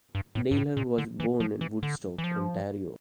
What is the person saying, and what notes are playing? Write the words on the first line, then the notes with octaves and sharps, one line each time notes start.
Naylor was born in Woodstock, Ontario.
G2
A2
G2
A2
A#2
D3
E3
F3
E3
D3
E3
F3